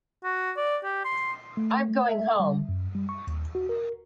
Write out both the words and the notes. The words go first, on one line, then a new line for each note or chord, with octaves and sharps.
I'm going home!
F#4
D5
G4
C6
A3
E5
G3
F#2
G3
C#6
D#2
F#4
A#4